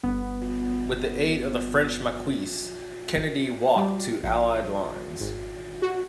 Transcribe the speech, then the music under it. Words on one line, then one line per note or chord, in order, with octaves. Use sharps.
With the aid of the French Maquis, Kennedy walked to Allied lines.
G1 B3
G3
A#1
G#1
F#4